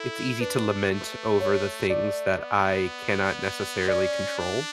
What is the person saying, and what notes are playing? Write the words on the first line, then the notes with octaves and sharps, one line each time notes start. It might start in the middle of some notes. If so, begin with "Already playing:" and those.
it's easy to lament over the things that I cannot necessarily control,
Already playing: E4 A4
D4 B4
A3
C#5
A3 D5
B3
C#4 D5
D4